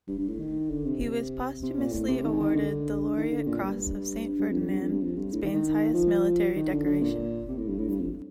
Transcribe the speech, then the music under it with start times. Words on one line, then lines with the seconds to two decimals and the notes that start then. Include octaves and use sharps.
He was posthumously awarded the Laureate Cross of Saint Ferdinand, Spain's highest military decoration.
0.08 G2
0.18 G2
0.28 A2
0.39 D#3
0.70 D3
0.85 C3
1.63 C3
1.78 A#2
1.93 A2
2.08 C3
2.24 D#3
2.40 D#3
2.55 D3
3.17 D#3
3.32 D3
3.47 A#2
3.63 G2
4.39 G2
4.50 F2
4.60 F2
4.70 G2
4.81 F2
4.91 G2
5.01 F2
5.16 G2
5.33 A2
5.43 D#3
5.53 D#3
5.94 F3
6.55 D#3
6.71 D3
6.86 D3
7.02 A#2
7.49 C3
7.58 A2
7.68 G2
7.79 A2
7.89 G2
7.99 F2